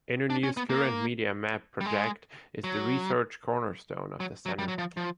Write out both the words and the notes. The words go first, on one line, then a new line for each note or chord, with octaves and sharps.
Internews' current Media Map project is the research cornerstone of the Center.
D4
C#4
B3
A#3
G3
G#3
F#3
F#3
F#3
G3
F#3
F3
F3